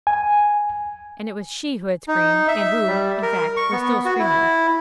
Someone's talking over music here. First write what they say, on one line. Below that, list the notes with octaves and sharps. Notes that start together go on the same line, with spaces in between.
And it was she who had screamed, and who, in fact, was still screaming.
G#5
D#4
E5
G3
A#4
C#6
B3
F#4
E4